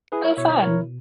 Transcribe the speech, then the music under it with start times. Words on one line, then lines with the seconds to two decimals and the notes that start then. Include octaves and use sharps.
Oh fun.
0.12 E4 G#4 B4
0.24 A#4 C#5
0.37 B2 C#5 E5
0.49 C#5 E5
0.62 E4 A#4 C#5